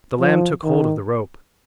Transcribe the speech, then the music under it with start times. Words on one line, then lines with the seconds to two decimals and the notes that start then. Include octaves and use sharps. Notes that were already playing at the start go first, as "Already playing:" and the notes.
The lamb took hold of the rope.
0.20 F3
0.63 D#3